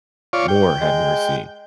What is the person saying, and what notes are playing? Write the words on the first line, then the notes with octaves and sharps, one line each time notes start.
Lord, have mercy.
F4 C#5 D5
G5
G#3